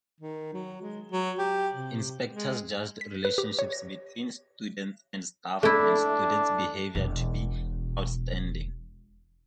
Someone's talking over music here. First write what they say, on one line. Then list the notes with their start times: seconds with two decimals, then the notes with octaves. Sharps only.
Inspectors judged relationships between students and staff and student behaviour to be "outstanding".
0.20 D#3
0.53 F#3
0.82 G#3
1.12 F#3
1.38 G4
1.74 C3
2.32 G#3
3.01 B6
3.25 B4
3.38 G4
3.59 C#5
3.73 A#6
5.63 A3 D4 E4
6.95 E1 B2